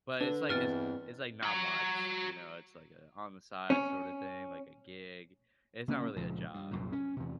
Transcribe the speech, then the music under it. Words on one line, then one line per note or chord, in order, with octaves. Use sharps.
but it's, like it's it's, like, not much, you know? It's like a on-the-side sorta thing, like a gig. It's not really a job,
D3 D4 B4
E2 G2 C4 B4 F6 A6
F#4 A#5
C#4
C#3 A#3 C#4
C#2 A#2 F3
G2
C2 F#2 A#2
C#4
E2 C3